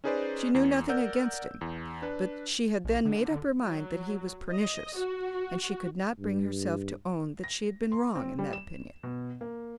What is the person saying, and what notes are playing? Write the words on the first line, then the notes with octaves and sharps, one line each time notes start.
She knew nothing against him; but she had then made up her mind that he was pernicious, and she could not bring herself to own that she had been wrong in that opinion.
C#4 D#4 G#4 B4 C5 D5
E2
A#4 D5 F#5 E6 G6
E2
D4 B4
A#1
D3
F#3
D#5
F#4
G2
A#6
C6
C4
G3
E7
B2
A#3